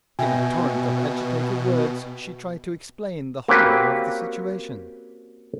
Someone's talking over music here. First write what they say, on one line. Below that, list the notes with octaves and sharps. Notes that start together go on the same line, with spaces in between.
In a torrent of agitated words she tried to explain the horror of the situation.
B2 E5 G5 G#5
A#3 C4 C#4 F#4 G4 B4